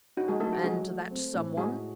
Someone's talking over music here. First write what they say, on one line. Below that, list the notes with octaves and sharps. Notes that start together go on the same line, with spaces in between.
"And that someone?"
D#4 F#4
G#3 G#4
F#3 A3 A4
F#4
F#3 G#3 G#4
A3
C4
A2
G#3 F#4 G#4